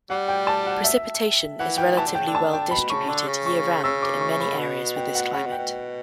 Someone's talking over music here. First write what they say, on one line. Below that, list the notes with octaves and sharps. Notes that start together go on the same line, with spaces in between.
Precipitation is relatively well distributed year-round in many areas with this climate.
G3 F#5
G5
A5
F#5
E5
E3 F#5
G5
E3 A5
D3
C#3 G5
D3
A5
G5
B2 B5
C#3 C#6
D3
C#3
C#6
C#3 E6
D6
C#6
B5
B2
G5
F#5
C#3 F#5
B2
G5
B2